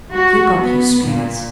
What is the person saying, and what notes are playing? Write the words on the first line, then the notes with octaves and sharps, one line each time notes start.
Keep up your spirits.
F#4
B3
A#2